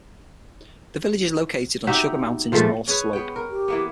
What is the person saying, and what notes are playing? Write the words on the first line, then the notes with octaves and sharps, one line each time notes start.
The village is located on Sugar Mountain's north slope.
D#4 F#4 G4 E5
A#2 F3 G#3 A3
C#4 G#4 B4
B3 G5
A#4
G4
E3 A#3 B3